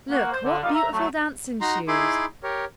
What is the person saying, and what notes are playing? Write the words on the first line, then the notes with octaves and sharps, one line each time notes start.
"Look, what beautiful dancing shoes!"
A#3 F#4
C5
D3
G3 A#3 D#4 F4 F5
E5 A#5
F#3 A3
D#4 F#4 A#5 C6
D#4 E4 G#4 B5 C6 D6
G4 A#4 C#5